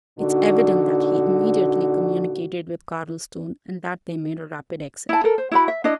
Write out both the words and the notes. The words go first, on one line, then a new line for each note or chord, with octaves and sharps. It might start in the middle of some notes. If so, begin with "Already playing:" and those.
It's evident that he immediately communicated with Cardlestone, and that they made a rapid exit.
A#2 D3 D#4 F#4
E4 A5
A4 A#4
C5
E4 F#4 B5
E5
D4 E4 D#5